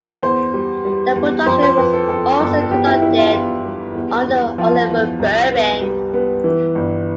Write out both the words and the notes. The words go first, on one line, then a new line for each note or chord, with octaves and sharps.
The production was also conducted under Oliver Berben.
E2 C5
G3
G3
E2
F2 C5
C5
F2 B4
A4
F2 A4
G1 A4
A4
E2 G4
E4
E2 E4
F4
E2 F4
G3
E2
E2
F3 F4
E2
C2
B3
G3
B3
E3
G1